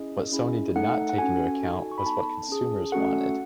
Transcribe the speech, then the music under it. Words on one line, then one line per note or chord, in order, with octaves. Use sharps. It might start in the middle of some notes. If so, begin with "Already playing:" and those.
What Sony did not take into account was what consumers wanted.
Already playing: C#4 E4 G#4 D#5
C#4 E4 G#4
A3 D#4 A4 F#5
F#5
C#4 F#4 A4 G#5
D#4 F#4 A4
C#6
B5
B3 D#4 A4 A5
C#4 G#4
A3 C#4 F#4 A4 F#5